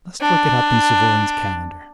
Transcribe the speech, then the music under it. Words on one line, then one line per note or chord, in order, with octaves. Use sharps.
I must look it up in Suvorin's calendar.
D4